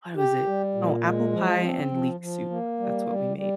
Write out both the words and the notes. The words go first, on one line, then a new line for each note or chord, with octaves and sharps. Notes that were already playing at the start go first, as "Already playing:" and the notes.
what was it? Oh, apple pie and leek soup, that's what we made,
G4
G3
A#2
G#3
F3
C4
F3
F3
A#3
G3
G3
G3